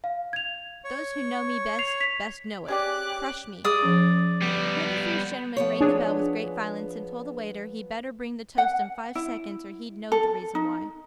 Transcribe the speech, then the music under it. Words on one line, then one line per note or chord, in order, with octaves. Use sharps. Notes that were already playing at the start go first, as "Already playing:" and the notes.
Those who know me best, best know it; crush me!' Here the fierce gentleman rang the bell with great violence, and told the waiter he'd better bring the toast in five seconds, or he'd know the reason why.
F5
G#6 F7
C#5
G#6 C7 F7
B6 F7
C#4 G4 G#4 D5 D6 F#6
G#4 D5 D#6
F3 C#4
G3 B3
F3 B3 C#5
D4 G#4
F#5
E4
A4
D#4